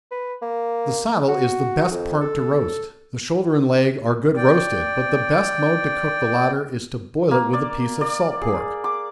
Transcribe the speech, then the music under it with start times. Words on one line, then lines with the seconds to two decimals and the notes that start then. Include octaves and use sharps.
The saddle is the best part to roast--the shoulder and leg are good roasted; but the best mode to cook the latter, is to boil it with a piece of salt pork.
0.11 B4
0.42 A#3
1.28 F#4
1.91 F2
2.21 A4
4.37 D5 G5
7.31 A#3
7.53 D5
8.01 D5
8.42 G#4
8.84 D6